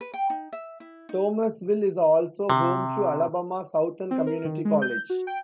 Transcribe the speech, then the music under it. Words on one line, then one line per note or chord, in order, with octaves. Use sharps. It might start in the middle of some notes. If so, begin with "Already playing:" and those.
Thomasville is also home to Alabama Southern Community College.
B4
G5
D#4
E5
E4
D#4
C3
C4
A#4
D#3
G#3
G6
F#4
G5